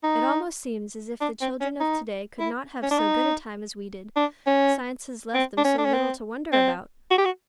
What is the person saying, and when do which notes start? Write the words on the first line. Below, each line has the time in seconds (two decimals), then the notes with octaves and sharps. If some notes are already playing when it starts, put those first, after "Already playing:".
It almost seems as if the children of to-day could not have so good a time as we did, science has left them so little to wonder about.
0.03 D#4
1.21 D4
1.41 C4
1.61 C#4
1.80 D#4
2.39 E4
2.83 C#4
2.91 D4
2.98 D#4
4.16 D4
4.47 C#4
5.34 C4
5.57 D4
5.64 C#4
5.78 D4
5.85 C#4
5.93 C4
6.52 C4
7.11 F#4
7.18 G4
7.25 F#4